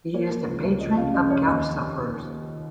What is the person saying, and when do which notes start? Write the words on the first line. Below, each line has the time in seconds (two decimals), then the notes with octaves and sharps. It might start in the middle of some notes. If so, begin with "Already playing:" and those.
He is the patron of gout sufferers.
0.14 A#3 C#5
0.31 A#3
0.47 C#2
0.64 C#2
0.81 F2 D#5
0.97 C#3 F4 F5
1.14 C#3 D#5
1.30 F2 C#5
1.47 D#2 D#5